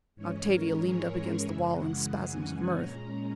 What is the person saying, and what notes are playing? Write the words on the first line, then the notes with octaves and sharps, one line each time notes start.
Octavia leaned up against the wall in spasms of mirth.
G#2 E3 G#3 C#4 C#5
A#4
G#4
A#4
F#2 C#3 E3 G#3 E5
F#5
G#5
A#2 G#3 C#4 A#5